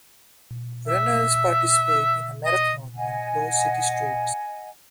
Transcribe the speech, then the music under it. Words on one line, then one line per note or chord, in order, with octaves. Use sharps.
Runners participate in a marathon on closed city streets.
E5
D#5
D#5 F#5 G#5